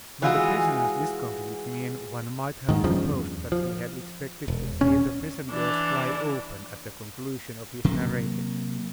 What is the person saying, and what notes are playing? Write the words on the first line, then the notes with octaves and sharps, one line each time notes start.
By the prisoner's discomfited mien one might have supposed that he had expected to see the prison doors fly open at the conclusion of his narrative.
E3 G#3 F4 F#4 G#4
G#2 D#3
E2 G2 C#3 F3
F3
E1
D#1 C#4
E3 D4
C3 F#3 A#3